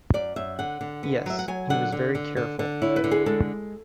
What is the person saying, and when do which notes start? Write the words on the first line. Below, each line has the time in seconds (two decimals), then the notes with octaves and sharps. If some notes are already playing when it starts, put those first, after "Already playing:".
Yes, he was very careful.
0.14 F#2 D5
0.36 F#2 E5
0.59 D3 F#5
0.81 D3
1.03 B3
1.26 F#3 E5
1.39 F#5
1.48 F#3 G#5
1.70 D3 F#5
1.92 D3
2.15 D3
2.37 D3
2.59 D3
2.82 E4 C#5
2.96 B4
3.04 D3
3.11 G#4
3.26 G#3 A4